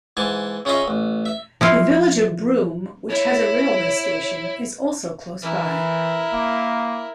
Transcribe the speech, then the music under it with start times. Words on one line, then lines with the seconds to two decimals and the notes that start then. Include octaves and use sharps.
The village of Broome, which has a railway station, is also close by.
0.17 G#2 E3 G#5 A5
0.65 C#3 C#4 F4 D#5 E5
0.88 A1
1.26 E5
1.61 F3 E4 F4
3.10 E4 C#5
5.43 E3 E4 A#4
6.33 A#3